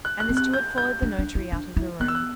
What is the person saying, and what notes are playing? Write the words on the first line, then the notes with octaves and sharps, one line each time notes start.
And the steward followed the notary out of the room.
F#6
F#6
C4
F#6
G6
G6
D4
D4
E4
D4
E4
B3 F#6
E6
F#6